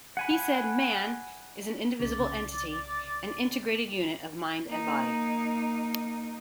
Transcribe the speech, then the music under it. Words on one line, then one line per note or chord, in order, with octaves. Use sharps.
He said Man, is an indivisible entity, an integrated unit of mind and body.
F#5 G#5 B5
C2 C#3 D5
A#3 D#4